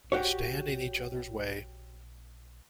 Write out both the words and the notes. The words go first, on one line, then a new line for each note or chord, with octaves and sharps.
We stand in each others' way!
F#4 G4 C#5